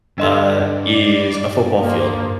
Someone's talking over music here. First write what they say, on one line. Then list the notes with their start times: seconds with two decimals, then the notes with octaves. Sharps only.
uh, is a football field.
0.18 G2 D3 D4 D#5 C6
0.85 D5
1.79 F3 A#3